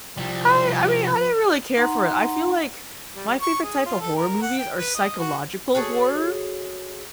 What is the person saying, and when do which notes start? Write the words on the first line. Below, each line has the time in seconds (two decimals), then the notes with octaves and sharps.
I I mean, I didn't really care for it, I feel like my favorite type of horror movies are psychological horror,
0.17 C2 F3 G3
1.77 D#4 F#5 A#5 C6
3.15 G3
3.42 C#6
3.63 G#4
3.86 F4
4.00 A4
4.16 A#4
4.42 F#5
4.58 G5
4.77 B4
4.95 D#5
5.19 F#4
5.75 F#4 G#4 A4 C#5